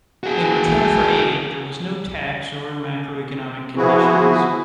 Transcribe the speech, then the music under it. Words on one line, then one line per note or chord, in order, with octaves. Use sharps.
In return for aid, there was no tax or macroeconomic conditions.
F#4 G#4
F3 B3 E4 F#4 G#4